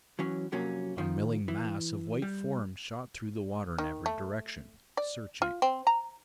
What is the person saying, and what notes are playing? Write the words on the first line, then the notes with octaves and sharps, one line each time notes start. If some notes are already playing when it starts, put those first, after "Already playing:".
A milling mass of white forms shot through the water in every direction, searching.
E3 F#3 C#4
F2 C3 F#3 A#3 C#4
D#3 F3
E3
G3
D#3
A3
D5
F4
C4
A#5